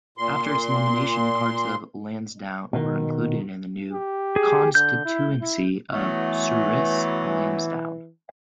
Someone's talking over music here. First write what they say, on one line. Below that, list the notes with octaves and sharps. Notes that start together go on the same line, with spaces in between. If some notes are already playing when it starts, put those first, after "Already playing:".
After its elimination, parts of Lansdowne were included in the new constituency of Souris-Lansdowne.
A#2 C6
B2 D#3
G4
G#4
D3 G6
E4
E4
E3 F#3 A3 B3